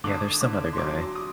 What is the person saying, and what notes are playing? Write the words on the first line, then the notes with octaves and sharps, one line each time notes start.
Yeah, there's some other guy.
D3 D6
D#6
D6
D3 D6
C6
F#3 D6
D#6